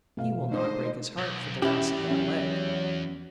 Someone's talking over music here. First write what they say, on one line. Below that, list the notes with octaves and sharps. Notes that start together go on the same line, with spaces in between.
He will not break his heart for the loss of that leg.
B2 A3 F4 F5
D3 D#3 G#3 D4 D#4 C5 D#5
B1
E2 C#4 E4 G4 E7
F#3 C#4